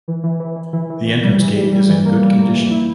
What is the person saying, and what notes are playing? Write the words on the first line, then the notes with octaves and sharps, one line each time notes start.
The entrance gate is in good condition.
E3
E3
E3
E3
E3
E3
E3
G3
E3
G3
G3
E3
A#3
G3
A#3
E3
E4